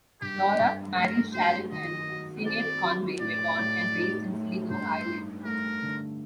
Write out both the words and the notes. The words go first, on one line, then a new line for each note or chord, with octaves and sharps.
Laura, Marie, Sharon and Sinead Conway were born and raised in Sligo, Ireland.
G2 G4
G2
A3 A#4
F#3 C5
D#3 D#5
F#4
C4 D5
F#3
A2 D5
A2
D#4
A3
G2 C5
D#4
A3 A#4
D3